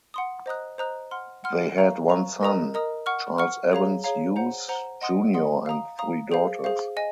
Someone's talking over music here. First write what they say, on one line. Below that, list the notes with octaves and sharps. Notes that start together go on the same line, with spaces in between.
They had one son, Charles Evans Hughes Junior and three daughters.
F#5 C6 D#6
C5 D#5 A#5 D#6 F#6
C5 D#5 A#5 D#6 F#6
F#5 C6 F6
F#5 C6 F6
F5 A#5 C#6
F5 A#5 C#6
A#4 D#5 A#5 D#6
A#4 D#5 A#5 D#6
F#5 C#6 F6
F#5 C#6 F6
G#4 C#5 F5 A#5
G#4 C#5 F5 A#5
C5 F#5 A#5
C5 F#5 A#5
D#5 F#5 C6 D#6
D#5 F#5 C6 D#6
F5 A#5 D#6
F5 A#5 D#6
G#4 C5 F5
G#4 C5 F5
D#5 G#5